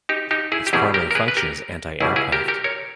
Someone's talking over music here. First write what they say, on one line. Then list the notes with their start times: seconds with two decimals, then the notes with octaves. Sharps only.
Its primary function is anti-aircraft.
0.09 D#4 G4
0.31 D#4 G4
0.52 E4 G#4
0.67 G4
0.73 E2 B2 G3 E4 G#4
0.94 G4 A#4
1.11 A#4
1.15 G#4 B4
1.28 B4
1.37 G4 A#4
2.00 C#2 B2 G3 E4 G#4
2.16 E4 G#4
2.32 G4 A#4
2.48 G4 A#4
2.64 A#4 C#5